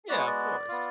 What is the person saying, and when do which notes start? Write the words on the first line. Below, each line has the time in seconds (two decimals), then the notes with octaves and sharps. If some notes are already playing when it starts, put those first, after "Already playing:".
Yeah, of course.
0.09 G#3 B3 F#4 D5
0.18 C#5
0.27 D5
0.68 B3 F4